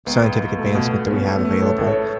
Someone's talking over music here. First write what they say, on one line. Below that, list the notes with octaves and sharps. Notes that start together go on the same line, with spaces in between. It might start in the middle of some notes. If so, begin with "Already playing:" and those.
scientific advancement that we have available
C#2 B3
C#2
C#2
B2 A3
B2
B2
B3 C#4
A3
B3
A3
A2 A4 C#5
A2
A4 C#5